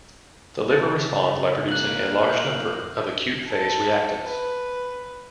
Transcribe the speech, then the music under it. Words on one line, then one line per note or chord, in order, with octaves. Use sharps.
The liver responds by producing a large number of acute-phase reactants.
C#3 A4
A#3 F5 F#6 F#7
G6 F#7
A4
B4